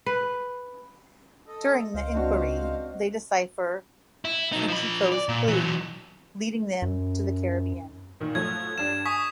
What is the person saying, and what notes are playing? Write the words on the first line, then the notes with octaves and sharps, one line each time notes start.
During the inquiry, they decipher Fujiko's clue, leading them to the Caribbean.
B4
A4 D#5
C#2 C5 D#5 F5
C4 D4 F#4
E4
F#3 D#4
F3 B5
D5
A#2
E3 F#3
F#2
A#2 D#3
F3 F#3 A3 G#6
G2 D4 G4 E7
G#5 C#6 D#6 B6